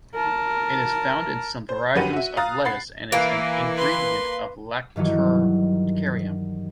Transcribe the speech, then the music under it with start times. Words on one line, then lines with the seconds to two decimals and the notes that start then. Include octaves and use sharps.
It is found in some varieties of lettuce and is an ingredient of lactucarium.
0.15 A#4 A5
1.69 C5
1.95 G1 F#2 G4 B4 F#5 D#7
2.13 F#4 E5
2.37 F5 A#5 D#6 F#6 A6
2.65 F#5 B5 A6 C7
3.12 E3 A#3
3.75 B4 C6
4.96 G2 D#3 E3 F#3